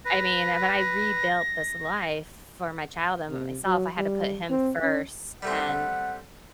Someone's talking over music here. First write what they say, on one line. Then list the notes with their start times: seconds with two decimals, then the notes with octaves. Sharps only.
I mean, eh but I rebuilt this life, for my child and myself, I had to put him first, and,
0.05 B4 A#6
3.29 C3
3.64 F#3
3.97 G3
4.50 C4
4.83 C#4
5.42 G3 A3 C4 F#5